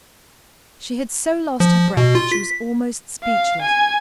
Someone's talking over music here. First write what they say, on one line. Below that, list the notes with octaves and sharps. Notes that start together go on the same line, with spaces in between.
She had so lost her breath that she was almost speechless.
F3
B2
F4
B6
F5
G#5